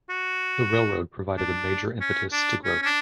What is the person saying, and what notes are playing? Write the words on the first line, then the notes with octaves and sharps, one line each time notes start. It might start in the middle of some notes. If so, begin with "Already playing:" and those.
The railroad provided a major impetus to growth.
F#4
D4
C#4
D4
C#4
C#4
D4